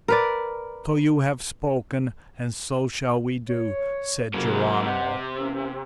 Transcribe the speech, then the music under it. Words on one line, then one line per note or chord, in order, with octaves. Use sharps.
"So you have spoken and so shall we do," said Geronimo.
A#4 B4 D5
C#5
F2 C3 F#3 A#3
C3 B4 D#5 F#5
E3 A#3 C#4